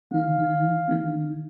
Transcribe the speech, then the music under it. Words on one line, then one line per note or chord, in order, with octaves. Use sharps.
Mhm. Mhm.
F5